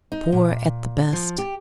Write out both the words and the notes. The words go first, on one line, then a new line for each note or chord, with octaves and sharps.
Poor at the best...
D#4
A#2
F3
G4